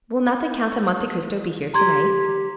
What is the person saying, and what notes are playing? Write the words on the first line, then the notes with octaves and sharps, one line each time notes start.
"Will not the Count of Monte Cristo be here to-night?"
G4 A#5 C6 G#6